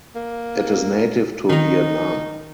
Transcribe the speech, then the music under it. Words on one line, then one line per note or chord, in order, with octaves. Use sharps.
It is native to Vietnam.
A#3
D#3 D#4 A#5